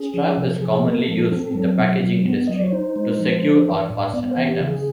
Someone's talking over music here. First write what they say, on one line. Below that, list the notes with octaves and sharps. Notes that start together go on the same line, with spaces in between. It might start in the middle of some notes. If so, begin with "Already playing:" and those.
Strap is commonly used in the packaging industry to secure or fasten items.
Already playing: C#4 G#4
F3
C3
A4
F3 G#4
A#3 A#4
A4
F3
C4
F#3
B2
F#3
B3
F#3 D#5
D5
C#5
D#4 C5
G#3
F3
D4
E3
A2
B3 D5
C5
E3
G4
C#3
G#4